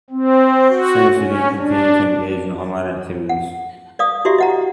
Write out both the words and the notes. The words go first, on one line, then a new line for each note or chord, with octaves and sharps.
Samsudeen continued to engage in online activities.
C4
F#4
C#4
D4
F#5
D5 F5 D#6
E4 F#4 G4 D5 E5
D#5 F#5 A#5